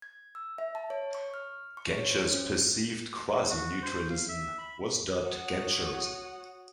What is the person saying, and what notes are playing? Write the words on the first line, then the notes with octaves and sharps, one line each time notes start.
Genscher's perceived quasi-neutralism was dubbed "Genscherism".
G#6
E6
E5
A5
C#5
C#6
F6
C#6
C#5
C5
C#4
F#4
C5
F5
E5
B5
F#4 C#5 F#5 D#6